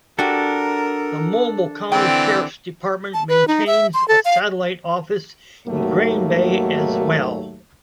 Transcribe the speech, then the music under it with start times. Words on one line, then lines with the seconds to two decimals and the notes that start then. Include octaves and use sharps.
The Mobile County Sheriff's Department maintains a satellite office in Grand Bay as well.
0.19 D4 F#4 G4 A4 A#4
1.92 D3 E3 C4 D5 G5
3.14 A5
3.29 B4
3.48 D#4
3.67 E5
3.94 C6
4.08 A4
4.25 F5
5.68 D#2 G#2 F#3 A3 A#3 F#4